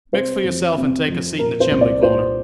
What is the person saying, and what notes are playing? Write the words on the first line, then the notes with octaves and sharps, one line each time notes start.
Mix for yourself and take a seat in the chimbley-corner.
C3 C5
F2
C3
F2
A#2 A#4
C5
C2
D5
A#2 C5